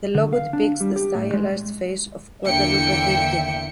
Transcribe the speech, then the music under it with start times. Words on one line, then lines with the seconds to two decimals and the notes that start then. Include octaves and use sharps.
The logo depicts the stylized face of Guadalupe Virgen.
0.15 D3
0.33 F5
0.53 D4
0.80 G3
0.96 G4
1.15 A2
1.33 G#3
2.46 E2 D3 A#3 E5 G5 C#7